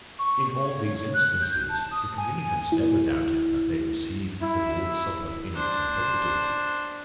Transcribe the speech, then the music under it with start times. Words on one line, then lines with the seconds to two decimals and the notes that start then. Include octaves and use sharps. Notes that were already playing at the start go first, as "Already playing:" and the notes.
In all these instances the communicants never doubted that they received the Lord's Supper in its integrity.
0.19 C#6
0.62 C#5
1.14 F#6
1.42 G6
1.69 A5
1.91 D#6
2.17 G#5
2.72 E4
4.41 E4
5.54 D4 C5